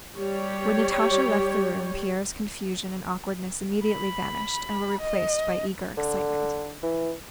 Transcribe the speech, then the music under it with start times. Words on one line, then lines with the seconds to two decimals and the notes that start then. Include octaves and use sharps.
When Natasha left the room Pierre's confusion and awkwardness immediately vanished and were replaced by eager excitement.
0.18 G3 G4 C#5
3.85 B5
5.01 D#5
5.97 D3
6.83 E3